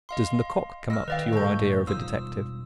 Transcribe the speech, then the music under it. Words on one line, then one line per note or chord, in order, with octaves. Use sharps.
"Does Lecoq come up to your idea of a detective?"
D#5 F5 C6
D#5 E6 F6
D#3 B4 C5 D5 D#5 F5 G5
A2 C#3 G#3 A4 C#6 G6
E1 G3 D#4 F4 C5 D#6 E6